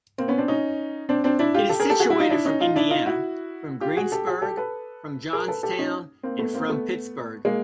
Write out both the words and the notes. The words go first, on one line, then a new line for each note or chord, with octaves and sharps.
It is situated from Indiana, from Greensburg, from Johnstown, and from Pittsburgh.
A#3 C4
B3 C#4
C4 D4
C#4 D#4
C4 D4
C4 D4
D4 E4
F4 G4
G4 A4
G#4 A#4
G4 A4
F#4 G#4
E4 F#4
D#4 F4
D4 E4
C#4 D#4
D#4 F4
D4 E4
D#4 F4
E4 F#4
F4 G4
F#4 G#4
G4 A4
F#4 G#4
G4 A4
A4 B4
G#4 A#4
A4 B4
G4 A4
C#4 D#4
A#3 C4
A3 B3
A#3 C4
A3 B3
G#3 A#3